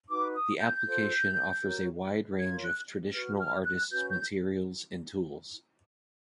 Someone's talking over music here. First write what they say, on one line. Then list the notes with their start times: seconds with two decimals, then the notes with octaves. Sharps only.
The application offers a wide range of traditional artists' materials and tools.
0.09 D#4 F#4 B4 D6
0.34 D#6
0.59 G6
0.85 F4 A4 C5
1.62 F#4 A#4 C#5
2.37 F4 A#4 C#5 G#6
2.63 F#6
3.14 F#4 B4 F6
3.39 F6
3.64 F#6
3.90 C#4 F#4 B4 G6
4.10 G6